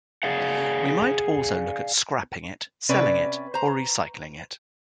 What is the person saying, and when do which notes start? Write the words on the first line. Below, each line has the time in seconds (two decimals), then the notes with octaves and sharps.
We might also look at scrapping it, selling it or recycling it.
0.23 G#4 D5 F5 F#5
2.89 C3 C#4 B4 D5
3.54 C5 A#5